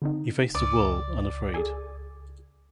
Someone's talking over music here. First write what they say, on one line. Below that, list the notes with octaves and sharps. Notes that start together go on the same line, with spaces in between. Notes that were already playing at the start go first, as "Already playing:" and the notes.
He faced the world unafraid.
D3 C4 D#4
C#2 D5 D#6
G#4 A4 G#5